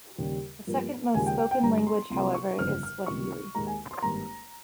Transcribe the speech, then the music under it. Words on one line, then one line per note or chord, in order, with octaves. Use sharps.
The second most-spoken language however is Swahili.
D#2 C#3 G3
G2 F3 A#3
D#2 C#3 F3 G#3 G#5
G5
G5
G5
G1 G2 G3 A#5
C6
C2 C3 F3 A#3 C6
C#6
G1 F2 C#3 F6
F6
C#2 C3 D#3 G3 A#3 C#6
D#2 D#3 G#3 A#5
G#5
C6
G#1 G2 G3 A#3 A#5